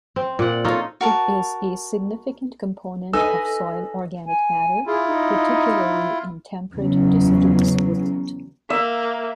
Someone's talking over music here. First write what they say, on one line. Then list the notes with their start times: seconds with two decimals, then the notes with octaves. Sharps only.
It is a significant component of soil organic matter, particularly in temperate deciduous woodland.
0.16 C4
0.39 A#2 D5 F#5
0.64 D#4 F4 A4 C#5
1.01 F#4 A#4 A5
3.13 D#4 A4 B4 D#5 G#5 E6
4.26 G#5
4.87 E4 F4 G#4
5.07 D#4
6.74 E2 C#3 F#3
8.70 A#3 E5